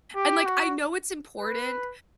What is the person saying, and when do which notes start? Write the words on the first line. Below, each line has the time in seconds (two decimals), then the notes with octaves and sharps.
and, like, I know it's important,
0.15 G4
0.46 F#4
1.37 B4